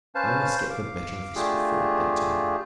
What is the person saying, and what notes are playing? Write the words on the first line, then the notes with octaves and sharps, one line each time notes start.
I must get the better of this before bed-time.
C#4 B4 C5 F5 A5
F5 D6
A3 D4 F4 G4 G#4